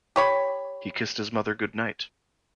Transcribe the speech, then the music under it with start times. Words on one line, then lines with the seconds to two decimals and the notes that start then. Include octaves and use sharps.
He kissed his mother good-night.
0.16 G4 C#5 B5